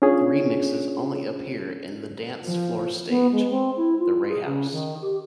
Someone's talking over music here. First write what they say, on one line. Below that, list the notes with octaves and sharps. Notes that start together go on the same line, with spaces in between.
The remixes only appear in the Dance Floor stage, The Ray House.
C#4 D4 F4 G#4 C#5
F3
B3
G#3
C4
E4
F4
G#4
C#3
D#3
G4